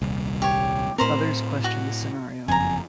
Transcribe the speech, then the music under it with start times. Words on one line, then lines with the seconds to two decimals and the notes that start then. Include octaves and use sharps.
Others question this scenario.
0.01 D#1 C2
0.42 G4 C#5
0.98 A2 C4 A#4 C5 B5
1.64 F#4
2.48 F#1 F2 G#5 A#5